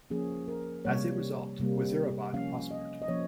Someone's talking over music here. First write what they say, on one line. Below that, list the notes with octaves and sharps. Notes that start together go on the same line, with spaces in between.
As a result, Wazirabad prospered.
F3 A#3 C#4 G#4
A#4
C3 G3 A#3 C#5
C3 G3 A#3
F3 A#3 C#4 F5
D#5
D#5
F3 A#3 C#4 C#5